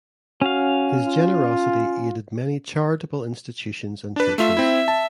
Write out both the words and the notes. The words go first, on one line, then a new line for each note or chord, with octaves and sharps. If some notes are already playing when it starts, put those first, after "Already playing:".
His generosity aided many charitable institutions and churches.
C#4 F#4 F5
F4
D4 B4
A3 F4 E5
C4 E4
A5